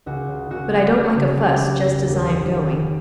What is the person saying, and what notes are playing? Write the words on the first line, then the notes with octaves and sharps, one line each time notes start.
But I don't like a fuss just as I am going.
C#2 F#4
C#3
C#2 F#4
F#3
C#2
C#3
C#2 G4
F#3
F1
D#2
F1
D#3
F1